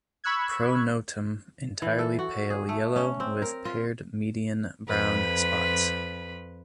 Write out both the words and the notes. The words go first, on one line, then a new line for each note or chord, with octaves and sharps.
Pronotum entirely pale yellow with paired median brown spots.
B5 C#6 E6 F#6 G#6
E3
A4
F#4
G#4
A3
C#4
C4
A#4
F4
F2 B4